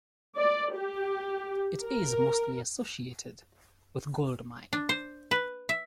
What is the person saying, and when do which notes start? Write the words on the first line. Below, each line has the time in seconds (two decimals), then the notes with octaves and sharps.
It is mostly associated with gold mining.
0.38 D5
0.75 G4
1.82 A#4
4.73 D4
4.89 C5
5.31 B4
5.69 E5